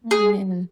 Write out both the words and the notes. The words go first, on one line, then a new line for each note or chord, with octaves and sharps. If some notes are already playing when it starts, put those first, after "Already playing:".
Oh man.
G#4